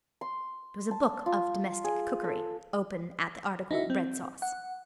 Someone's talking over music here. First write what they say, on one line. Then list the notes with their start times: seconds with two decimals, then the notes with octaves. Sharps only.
It was a book of Domestic Cookery, open at the article Bread Sauce.'
0.21 C6
0.91 A5
1.26 F4
1.84 G#4
2.24 A4
3.71 D#4 E4 F#4 E5
3.90 C4
4.42 F#5